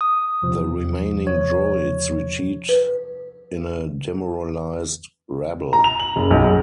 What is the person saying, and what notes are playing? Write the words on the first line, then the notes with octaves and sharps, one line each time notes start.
The remaining droids retreat in a demoralised rabble.
D#6
E2 C3 F3
C#5
B4
A#5
F7
F#7
F#1
B1
G#4